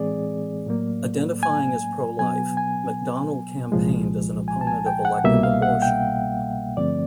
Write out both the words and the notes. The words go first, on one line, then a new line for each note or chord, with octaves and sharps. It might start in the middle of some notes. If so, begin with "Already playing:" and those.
Identifying as pro-life, McDonnell campaigned as an opponent of elective abortion.
Already playing: A2 E3 G#3 C4 G#4 D5
A2 F#3 A#3
G#5
B2 F#3 B3 G#5
G#5
C2 A#2 F3 G#3
G#5
A5
G#5
G5
F#5
C2 B2 G3 A#3 E5
F5
F#5
G5
G2 D3 F3 A3 C4 D5